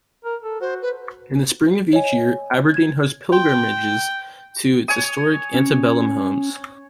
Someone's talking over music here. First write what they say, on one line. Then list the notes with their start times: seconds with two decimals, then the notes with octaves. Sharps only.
In the spring of each year, Aberdeen hosts pilgrimages to its historic antebellum homes.
0.25 A#4
0.43 A4
0.61 F#4 C5
0.82 B4
1.93 C#5 D#5 G#5
2.74 G#6
3.33 G5 C6
4.88 C#5 G#5 D#6
5.54 C#4